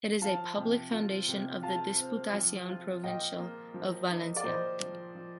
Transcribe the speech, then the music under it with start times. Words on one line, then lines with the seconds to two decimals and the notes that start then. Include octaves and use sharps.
It is a public foundation of the Diputación Provincial of Valencia.
0.21 F3 F5 A5
0.57 C3
0.92 F4
1.28 C3
1.63 F4 F5 A5
1.98 C4
2.33 F3
2.68 F4
3.03 A#2 D#5 G5
3.39 A#3
3.74 F3
4.10 D#4
4.36 D5
4.44 A#2 C5 D#5
4.80 F3
5.15 F3